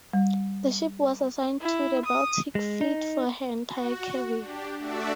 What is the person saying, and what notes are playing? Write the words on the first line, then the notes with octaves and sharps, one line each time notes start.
The ship was assigned to the Baltic Fleet for her entire career.
G3
E4
D#6
G#3
D#4
F#4
D4 G4
A3 D4 F#4 D5 E5